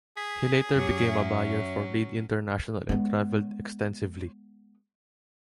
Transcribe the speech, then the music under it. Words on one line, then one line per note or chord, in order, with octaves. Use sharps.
He later became a buyer for Reed International and travelled extensively.
G#4 B6
F#2 F#3 C#4 G4
E5
G#3 B3